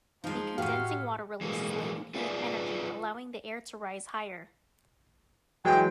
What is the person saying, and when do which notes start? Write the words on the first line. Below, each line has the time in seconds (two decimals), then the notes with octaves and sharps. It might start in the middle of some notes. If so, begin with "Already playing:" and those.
The condensing water releases latent heat energy allowing the air to rise higher.
0.24 F3 G#3 D#4
0.58 A2 F3 A3 F#4 G4 F5 F6
1.41 E3 G#3 A#3
2.14 F4 G#4 B4 D5 E5 F5
5.65 E3 F#3 G#3 G5